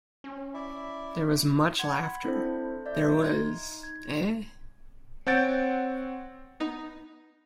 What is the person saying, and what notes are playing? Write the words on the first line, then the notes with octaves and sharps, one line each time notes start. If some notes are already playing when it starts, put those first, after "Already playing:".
'There was much laughter.' 'There was, eh?'
C#4
E4 D5 E5
F#5 C6 G#6
B5
C4 D4 E4 A4 C5
D5 E5 G6
D#4 C6 G#6
G#6
C4 C#5 F#5 G6 A6 D7
B3 D#4